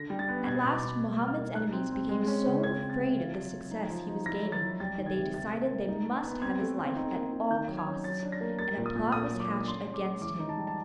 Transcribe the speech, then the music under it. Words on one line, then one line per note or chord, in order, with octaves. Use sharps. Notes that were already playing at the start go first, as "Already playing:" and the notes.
At last Mohammed's enemies became so afraid of the success he was gaining that they decided they must have his life at all costs, and a plot was hatched against him.
Already playing: D3 A#6
G3
A6
B3
B2 G#6
B2
D6
B2
B2
G3
F6
A#3
D#4 F#6
C4
C4
G#3
C#4
C#3
C4 G#6
C4
A6
C3
F4
F#3
F#3
D#4
F3
D#4
E4 A#6
F#3
A6
E4
G3 A6
D#3
G#6
C3
C3 A6
A#3
A#3
D#4
D#4
B3
C4 G#6
A3
C4
D#4
A#3
D#4
D#3 G6
F#3
G#6
C#4
F#3 A6
D4
A#6
A#3
A#3 A6
A#2
D#6
A#2
A3 D#6
F#3
D6
D4
C#4 C6
C#4
D6
G#3
E3 D6
D#4
A5
G3
A5